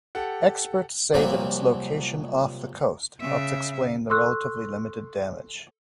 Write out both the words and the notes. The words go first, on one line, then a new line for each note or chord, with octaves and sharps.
Experts said that its location off the coast helps explain the relatively limited damage.
G4 A4 F#5
C2 A#2 F3 F#3 C4 B5
C#3 E5
A4 C6 C#6 E6 F#6